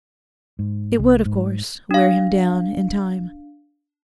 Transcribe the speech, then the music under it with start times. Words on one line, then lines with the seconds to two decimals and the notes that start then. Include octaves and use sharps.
It would, of course, wear him down in time.
0.59 G#2
0.99 C2
1.25 G#2
1.91 D4 F5